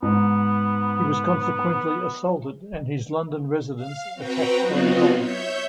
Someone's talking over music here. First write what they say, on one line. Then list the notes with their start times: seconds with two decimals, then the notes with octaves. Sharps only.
He was consequently assaulted and his London residence attacked by a mob.
0.03 G#2 B3
3.76 F5
4.15 C4 F#4 B4 G5 A#5
4.59 F#3 B3 C4 D#4 F4 F#4
5.15 C#5 E5 G6